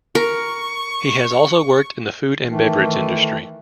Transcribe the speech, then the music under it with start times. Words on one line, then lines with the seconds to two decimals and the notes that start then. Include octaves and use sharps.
He has also worked in the food and beverage industry.
0.15 A#4 C#6
2.47 D#3 E3 A3